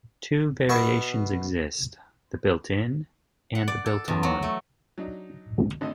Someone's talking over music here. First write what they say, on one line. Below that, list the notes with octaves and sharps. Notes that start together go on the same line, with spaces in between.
Two variations exist, the built-in and the built-on.
B2 B3 E5 C#6
F#5
D5
A4
E2
F#3
A3
F#3 D4 D#4
G#1 D3 A3 D#5